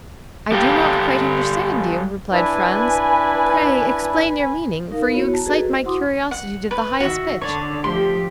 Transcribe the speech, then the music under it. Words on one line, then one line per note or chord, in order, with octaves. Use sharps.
"I do not quite understand you," replied Franz; "pray explain your meaning, for you excite my curiosity to the highest pitch."
G3 G4 A4 F5 G5
D4 E4 B4 G#5
D#4 A#4 F5
B3 E4 F#4 C#5
A5 A#5
F#4 G#4 A4 B4 D#5
C5
E4 F#4 F#5 C6 D6 D#6
F#5
B4
D#3 F#4 E5
D3 C#5 D5
F3 A3 G4 C6